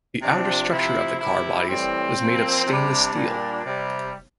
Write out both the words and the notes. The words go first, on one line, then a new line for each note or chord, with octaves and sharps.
The outer structure of the car bodies was made of stainless steel.
C3 F3 D4
C3 F3 E4
C3 E3 G3 E4
A2 E3 G3 C4
A#2 F3
C3 G3 D4
A#2 G3
C3 G3